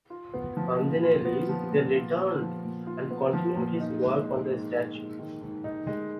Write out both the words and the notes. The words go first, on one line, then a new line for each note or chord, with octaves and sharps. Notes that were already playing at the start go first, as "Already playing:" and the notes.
Bandinelli then returned and continued his work on the statue.
F4
B3
F3
A#2
F4
B3
F3
A#2
F4
B3
F3
A#2
F4
B3
F3
A#2
D#4
G#3
D#3
G#2
D#4
G#3
D#3
G#2
D#4
G#3